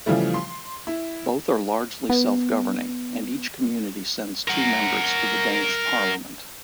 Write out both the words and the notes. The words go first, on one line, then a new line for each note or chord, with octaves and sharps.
Both are largely self-governing, and each community sends two members to the Danish Parliament.
C#3 E3 F3 G3 A3
C6
E4
B3
A#4 F#5